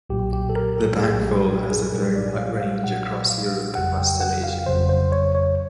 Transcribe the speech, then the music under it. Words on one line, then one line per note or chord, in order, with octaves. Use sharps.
The bank vole has a very wide range across Europe and western Asia.
B1 A#2 F#3 G4
G4
A4
A#4
A4
B1 A#2 F#3 G#4
G4
G4
G#4
B1 A#2 F#3 A#4
D5
F5
F5
B1 A#2 F#3 F#5
F5
G1 F2 C#3 F#3 F#5
G5
F#5
F5
G1 F2 C#3 F#3 C5
C5
C#5
C#5